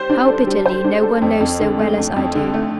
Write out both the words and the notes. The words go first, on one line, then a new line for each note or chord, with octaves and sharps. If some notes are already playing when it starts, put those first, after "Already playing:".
How bitterly no one knows so well as I do.
Already playing: G3 C5
D4
A4
G3
C5
D4
A4
F2
F2
D3
A3
F2
F2
D3
A3